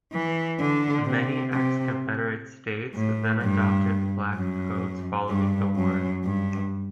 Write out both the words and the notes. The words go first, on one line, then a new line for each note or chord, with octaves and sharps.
Many ex-Confederate states then adopted Black Codes following the war.
E3
D3
C3
C3
A2
G2
F#2
G2
F#2
G2